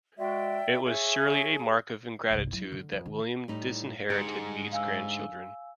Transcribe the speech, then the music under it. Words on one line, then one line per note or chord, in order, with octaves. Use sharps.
It was surely a mark of ingratitude that William disinherited Mead's grandchildren.
G#3 F#4 D5 E5 G5
G#4 C#5 E5
G1 C2
F#3 E4
D3
F2
D#3
A2 G3 D#4
G#2 D3 G4 G#4 C#7 D7
F5 G#5 E6